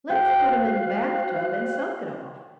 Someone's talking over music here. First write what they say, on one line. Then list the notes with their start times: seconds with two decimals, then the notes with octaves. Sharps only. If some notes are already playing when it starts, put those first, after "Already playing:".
"Let's put him in the bath tub and soak it off."
0.10 F#4 C5 F5 G5 F#6